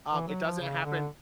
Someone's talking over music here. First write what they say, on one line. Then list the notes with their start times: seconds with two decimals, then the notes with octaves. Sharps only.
um, it doesn't happen
0.12 E3
0.28 F#3
0.44 F3
0.61 C#3
0.85 D3